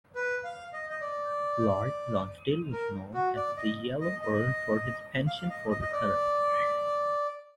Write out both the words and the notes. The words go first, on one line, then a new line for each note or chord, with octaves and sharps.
Lord Lonsdale was known as the Yellow Earl for his penchant for the colour.
B4
F5
D#5
D#5
D5
A#4
F#4
D5
D#5
D#5
D#5
F5
D#5
D#5
D#5
D5